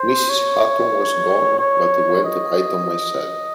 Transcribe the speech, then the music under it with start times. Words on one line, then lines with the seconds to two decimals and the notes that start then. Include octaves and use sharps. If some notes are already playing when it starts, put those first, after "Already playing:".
Mrs. Houghton was gone, but I went right on myself.
Already playing: C5
0.29 C#5
1.59 C#5
2.24 D#5